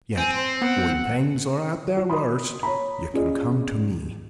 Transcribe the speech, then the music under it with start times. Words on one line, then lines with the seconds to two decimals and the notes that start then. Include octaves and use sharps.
Yet, when things are at their worst, you can come to me.
0.18 C4 G#5
0.36 C5
0.62 B3 F#5
1.97 F#4
2.10 B5 C6 D#6
2.63 C#5 A#5 B5
3.14 C#4 F4 G#4 D5 D#5